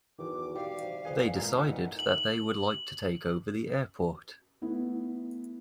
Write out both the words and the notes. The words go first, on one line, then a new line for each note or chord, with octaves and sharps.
They decided that they would like to take over the airport.
E2 D#3 E3 F#4 D6
G3 G4 F5
C3
F2 G#4 B4 G#5
G2 A#2 E3 G#3 A#5
D#4 E5 F#5
F#7
A3 B3 E4